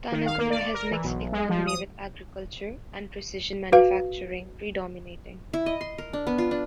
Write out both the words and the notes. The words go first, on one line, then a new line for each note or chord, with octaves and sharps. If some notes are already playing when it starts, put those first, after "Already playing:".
Tanagura has mixed economy with agriculture and precision manufacturing predominating.
D#3
F5
A#3
D5
A#4
E3
B1
G#3
F3
D#6
F#4 B4 F5
E4
D#5
C6
A#4
D4
B3
F4
D4